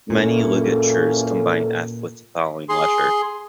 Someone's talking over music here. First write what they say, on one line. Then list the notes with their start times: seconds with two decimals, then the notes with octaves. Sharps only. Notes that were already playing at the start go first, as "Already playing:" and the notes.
Many ligatures combine f with the following letter.
0.10 E2 A#2 A#3 C#4 A4
2.69 G#4 C6